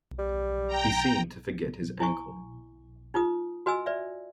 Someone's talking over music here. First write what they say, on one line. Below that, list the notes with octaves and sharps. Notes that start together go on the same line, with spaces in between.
He seemed to forget his ankle.
G3
G5 A#5
E4 G#5 C#6
D#4 F4 B4 D#6
F#4 B4 D#5 G#5 E6
B4 D5 E5